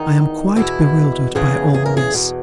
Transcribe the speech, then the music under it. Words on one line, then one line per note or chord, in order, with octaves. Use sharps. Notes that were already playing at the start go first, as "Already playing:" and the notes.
I am quite bewildered by all this.
Already playing: E2 D#3 D#4
E2 B2 E4
E2 C#3 E3 G#4
G#4
A#4
G#4
E2 B2